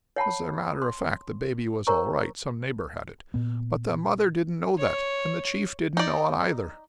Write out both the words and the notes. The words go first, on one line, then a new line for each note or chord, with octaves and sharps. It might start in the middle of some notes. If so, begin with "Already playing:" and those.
As a matter of fact, the baby was all right--some neighbors had it--but the mother didn't know that, and the chief didn't know it, either.
C#5 F#5 A5 B5
C6
A#4 C5 C#5 A#5 C#6
A#2 B3
C#5
D#4 D5